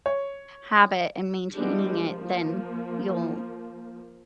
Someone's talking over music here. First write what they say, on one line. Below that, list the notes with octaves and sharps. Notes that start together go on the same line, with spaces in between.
habit, and maintaining it, then you'll,
C#5
E3 G3 G#3 B3 D4 G4
F3 A#3